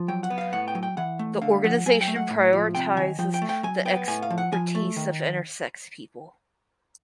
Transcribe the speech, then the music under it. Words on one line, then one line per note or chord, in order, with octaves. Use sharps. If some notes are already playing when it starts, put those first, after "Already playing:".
The organization prioritises the expertise of intersex people.
Already playing: F3
F#3 G5
F#5
B3
F5
A2 F#5
G5
F#3
G5
E3 F#5
A3
D3 F5
F3 F#5
F#3 G#5
G5
A3
F#5
A2
F3
C3 G5
D#3 G#5
F3 G5
G5
A3
G5
F#3 G#5
B3 G5
A2 G#5
F5
F3
F#5
F3 G#5
A3
D#3